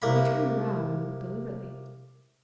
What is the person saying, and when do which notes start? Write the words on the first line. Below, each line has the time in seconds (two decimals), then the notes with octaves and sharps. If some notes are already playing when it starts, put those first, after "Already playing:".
He turned round deliberately.
0.02 C2 A#3 B5